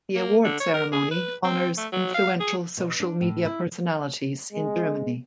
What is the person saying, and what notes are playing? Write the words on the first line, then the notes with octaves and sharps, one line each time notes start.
The award ceremony honors influential social media personalities in Germany.
A#3
D3
C#5
A#4
G#4
B4
C4
A3
F#3
F5
G#4
B2
D4
A2
E4
C3 G#3